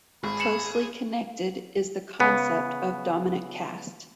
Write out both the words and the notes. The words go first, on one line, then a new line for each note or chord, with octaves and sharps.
Closely connected is the concept of dominant caste.
G#1 G#4 B5
C#7 E7 F#7
C#3 B3